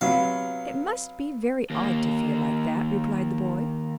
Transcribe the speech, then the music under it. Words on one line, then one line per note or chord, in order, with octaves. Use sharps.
'It must be very odd to feel like that,' replied the boy.
C3 F#3 B3 F5
D#2 A#3